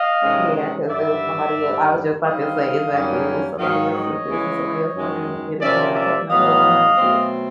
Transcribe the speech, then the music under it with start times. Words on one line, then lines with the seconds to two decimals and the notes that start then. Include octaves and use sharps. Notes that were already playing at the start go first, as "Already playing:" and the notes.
Yeah, 'cause it was somebody e and I was just about to say, exactly, it was somebody else's business, somebody else trying to get it, you know, taking a blow behind it,
Already playing: D#5 F5
0.21 C3 D#3 G#3 C#4
0.88 G2 D3 G3 D5 E5
1.56 G2 D3 G3
2.24 D#3 G3 C4 D#5 F5
2.90 F#2 D#3 G3 A#3 C#4
3.58 G#2 D#3 F#3 D#5 F5
3.92 C#5 D#5
4.26 C#3 E3 G#3
4.94 F#2 D#3 G#3
5.60 C3 F3 A#3 C#4 D5 E5
5.94 D5 E5
6.28 A2 F#3 B3 D#5 F5
6.96 B2 F#3 A3 C4